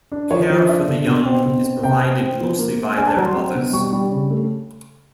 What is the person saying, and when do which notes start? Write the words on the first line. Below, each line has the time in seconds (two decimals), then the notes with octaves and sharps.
Care for the young is provided mostly by their mothers.
0.12 D4
0.30 F3 C#5
0.50 F3
0.68 D4 E5
0.88 D3
1.07 B2
1.26 C4
1.46 B2
1.64 C4
1.83 C3 G5
2.02 C4
2.21 C4
2.41 F3
2.59 A#3
2.78 A#3
2.97 D4 G#5
3.07 A5
3.17 F#3 A#5
3.26 C6
3.36 C4
3.55 B2
3.73 G3 C#6
3.93 G3
4.11 C#3
4.30 A3